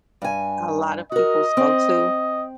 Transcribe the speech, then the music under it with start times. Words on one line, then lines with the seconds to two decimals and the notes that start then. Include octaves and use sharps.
a lot of people's go-to.
0.22 G2 G#5
1.12 F#4 A#4 D#5
1.57 C4